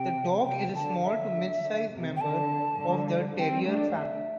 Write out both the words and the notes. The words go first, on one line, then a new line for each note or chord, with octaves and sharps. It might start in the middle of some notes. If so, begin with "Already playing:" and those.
The dog is a small to mid-size member of the Terrier family.
Already playing: C3 G5
C3 G5
D3 A5
D3 E5
D3
C3
G5
D3 A5
D3 G3
G3 C4 G5
A3 D4 D5
E5